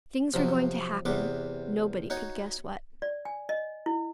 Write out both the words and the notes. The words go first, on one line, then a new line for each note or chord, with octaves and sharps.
Things were going to happen, nobody could guess what.
C3 F3 F#3
E2 C3 B3 D6
D#4 F#4 C#5
D5
G#5
D#5
E4